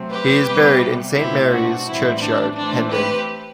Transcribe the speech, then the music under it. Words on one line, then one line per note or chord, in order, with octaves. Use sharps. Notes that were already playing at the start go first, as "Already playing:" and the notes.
He is buried in Saint Mary's Churchyard, Hendon.
Already playing: C3 F#3 A3 C4
G4 B4
C3 G3 B3
B2 A3 C4 E4 G4
D4 F#4
A2 E3 G3 C4 E4
D4
E3 A3 C4 D4
G4 B4